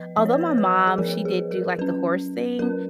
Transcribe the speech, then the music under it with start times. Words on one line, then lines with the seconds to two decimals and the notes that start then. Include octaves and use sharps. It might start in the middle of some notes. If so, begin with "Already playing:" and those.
although my mom, she did do like the horse thing,
Already playing: F3 B3 B4 D#5
0.16 F3 B3 D#5
0.25 C#5
0.33 B4
0.41 C#5
0.51 C#5
0.58 B4
0.87 G#4
0.98 F3 B3 A#4
1.25 G#4
1.51 A#4
1.79 F#3 C#4 B4
2.59 F#3 C#4 A#4